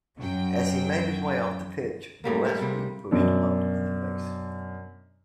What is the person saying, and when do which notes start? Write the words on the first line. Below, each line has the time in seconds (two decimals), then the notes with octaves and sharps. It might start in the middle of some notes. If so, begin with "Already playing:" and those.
As he made his way off the pitch, Gillespie pushed Hunt in the face.
0.17 F#2 F#3 G5
2.24 A2 G3 A#3
2.45 G3 G#3
2.61 C3 G3
3.11 F#2 B2 D4